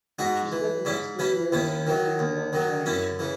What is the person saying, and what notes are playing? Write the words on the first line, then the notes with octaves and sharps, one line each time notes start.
She spent the next three years conducting her normal training routine.
G#2 D#4 F#4
E3
G#2 C#4 E4
E3 C#4 E4
D#2 C#4 E4
D#3 F#3
D#2
D#3 F#3
F#2 C#4 E4
C#3 E3